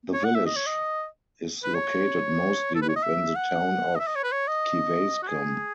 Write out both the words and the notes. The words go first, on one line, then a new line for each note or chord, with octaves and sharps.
The village is located mostly within the Town of Kewaskum.
C#5
F#5
E5
D#5
C#5
D#5
B4
C#5
A4
B4
C#5
D#5
E5
F#5
D#5
E5
D#5
C#5
B4
C#5
D#5
F#4
G#4